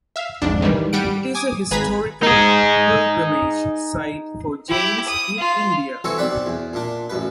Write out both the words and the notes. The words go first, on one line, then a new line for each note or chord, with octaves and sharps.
It is a historical pilgrimage site for Jains in India.
E5 F5
B1 F2 G#2 D4
G#2 D#3 E3 G3
G3 F#5 D7
G#5 D6 D#6
G#1 G#4 B4 A#5 G#6 B6
D#4 G#4
E4 G4
D#6
F4
E3 F#3 C4 A4 C#5
B1 C4 D5 F#5 B5
E2
A#2 D4
A1 F#2 B4